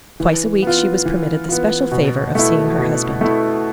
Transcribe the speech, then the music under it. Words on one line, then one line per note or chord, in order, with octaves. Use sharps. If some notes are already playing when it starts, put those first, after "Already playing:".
Twice a week she was permitted the special favor of seeing her husband.
E3
B3 F4
E3
B3 F4
B2
A3 E4
B2
A3 E4